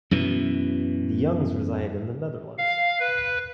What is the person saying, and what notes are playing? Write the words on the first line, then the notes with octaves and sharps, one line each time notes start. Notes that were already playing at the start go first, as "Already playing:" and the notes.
The Youngs resided in the Netherlands.
F#2 B2 E3
F5
B4